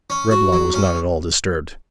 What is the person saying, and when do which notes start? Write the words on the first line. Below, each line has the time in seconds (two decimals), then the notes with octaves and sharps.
Reblong was not at all disturbed.
0.10 C#4
0.31 F#4
0.53 F#3
0.74 C#4